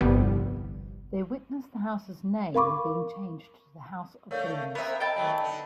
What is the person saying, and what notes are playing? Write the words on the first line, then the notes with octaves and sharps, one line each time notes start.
They witness the House's name being changed to the House of Villains.
G1 C2 F2 G3 B3
A#4 F5 B5 C#6 D6
D3 A3 A#4 C#5 F5
B3 C4 A#4 E5
D#5 G5 A5 B5
D#2 F#3 A3
D3 B3